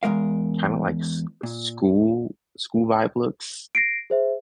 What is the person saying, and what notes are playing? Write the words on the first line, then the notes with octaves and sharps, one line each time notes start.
kinda like s school school-vibe looks?
E2 G2 G#3 A#4 F5
A#2
A#6 C7 D7
G#4 C5 E5